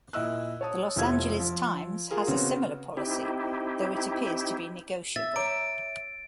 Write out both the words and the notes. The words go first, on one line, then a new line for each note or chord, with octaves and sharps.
The "Los Angeles Times" has a similar policy, though it appears to be negotiable.
A#2 E4 D#5 E6 F#6
C#5 A5 D#6
F1 F3 E4 E6 G#6
F3
F4 G#4 A#4
C#3 B3 C4 F#4
C4 D#4 E4 G4
E5 A6
C#5 A#5 D6 D7